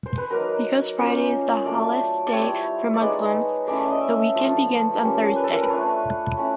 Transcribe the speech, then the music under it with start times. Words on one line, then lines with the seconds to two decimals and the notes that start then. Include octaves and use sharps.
Because Friday is the holiest day for Muslims, the weekend begins on Thursday.
0.06 C5
0.18 B4
0.30 F#3 A#3 D#4 A#4
0.98 A#3 C#4 F4 C5
1.65 F#3 A3 D4 F4 D5
2.27 D5
2.32 G3 C4 E4 C#5
2.94 D5
3.00 G#3 B3 D#4 C#5
3.67 A3 C#4 E4 D5
3.78 D5
3.90 D#5
4.01 E5
4.35 F3 A3 D4 F4
5.02 G3 A#3 C#4
5.36 B4
5.44 A4
5.53 A#4
5.61 B4
5.70 A3 D4 F4 C#5
6.37 A3 C#4 E4